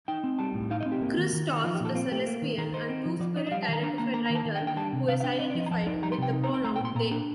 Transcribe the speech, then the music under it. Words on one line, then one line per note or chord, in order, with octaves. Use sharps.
Chrystos is a Lesbian- and Two-Spirit-identified writer, who is identified with the pronoun "they".
D#4 G5
C4
G3 A5
A2
D#4 F5
D#5
C4
G4
A#3
D#3
D#3
D#4
F3 F4
G4
A#2 A4
C4 F4
A3 G4
A#3
D#3
D#3 A#4
D#4 C5
C4
F3
F3 D5
D#4 D#5
D#5
G3 F5
A5
D#3 A#5
D4 A#5
A#3 A#5
A#3 A#5
A#5
D#3
A5
D#3
G5
D4
G5
G3 A5
C3
C3 F5
F5
D4 G5
C4 D#5
D5
F3
D#5
A#5
F3 A5
D#4 D5
G3 A#5
C6
C3 G5
D#4
A#5
C4
C6
A3 A#5
G5
A#2 C6
A#2 A#5
D4 A#5